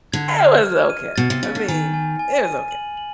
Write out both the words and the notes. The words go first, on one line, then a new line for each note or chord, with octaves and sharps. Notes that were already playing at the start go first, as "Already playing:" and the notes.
It was okay, I mean, it was okay,
D3 G#6
F6
F6
D#7
B2 A6
C3
C#3 A6
D3
D#3 G#5
G#5
G#5
D#7
F#7
F#7